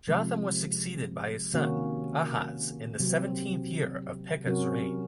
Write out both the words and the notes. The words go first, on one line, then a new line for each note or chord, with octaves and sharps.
Jotham was succeeded by his son, Ahaz in the seventeenth year of Pekah's reign.
C3 F3 G#3
C3 D#3 A#3 C#4 F#4
C3 F#3 C4
C3 F#3 C#4 F#4 A#4